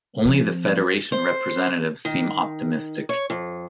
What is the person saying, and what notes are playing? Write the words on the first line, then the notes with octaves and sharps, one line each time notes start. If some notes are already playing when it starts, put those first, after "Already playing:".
Only the Federation representatives seem optimistic.
F3 C4
C5
D#3
C#5
F2